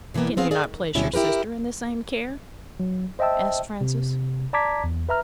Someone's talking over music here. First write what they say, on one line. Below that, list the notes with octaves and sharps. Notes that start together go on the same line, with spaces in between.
"Can you not place your sister in the same care?" asked Francis.
B2 E3 G3 A#3 B3
B3 C4 G#4 F5
G#4 D5 D#5 F5
D#3
D2 B2 F#3 G3 C#4 E4
E4 G4 A#4 B4
F#3
C5 D#5 E5 G5 A5 E6
C3
D5 A5 A#5 D6 G#6 B6
E2
B4 E5 A#5 F6